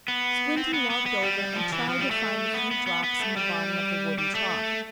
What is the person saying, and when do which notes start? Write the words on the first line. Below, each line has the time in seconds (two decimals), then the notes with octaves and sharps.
Squinty walked over and tried to find a few drops in the bottom of the wooden trough.
0.08 B3
0.57 C4
0.74 B3
0.90 B3
1.06 B3
1.23 G3
1.55 F3
1.73 E3
1.89 F3
1.99 G3
2.11 A3
2.54 B3
2.71 B3
2.87 B3
3.04 B3
3.20 A3
3.37 G3
4.18 G3
4.35 A3